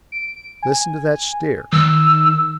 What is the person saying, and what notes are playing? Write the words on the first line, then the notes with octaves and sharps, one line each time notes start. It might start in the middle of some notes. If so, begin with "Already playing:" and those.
"Listen to that steer."
D7
G#5
D#3 E6